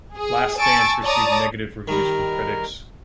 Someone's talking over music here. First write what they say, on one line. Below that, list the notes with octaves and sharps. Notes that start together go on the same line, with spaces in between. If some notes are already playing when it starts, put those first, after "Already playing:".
"Last Dance" received negative reviews from critics.
G#4
G#5 A5 C#6 E6 A6 D7
C#5 D5 A5 A#5 D#6
D#3 G3 A#4